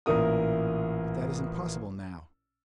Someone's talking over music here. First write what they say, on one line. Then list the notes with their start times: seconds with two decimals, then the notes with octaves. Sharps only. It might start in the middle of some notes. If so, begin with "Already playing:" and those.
But that is impossible now!
0.06 A1 A#2 E4 A#4 D#6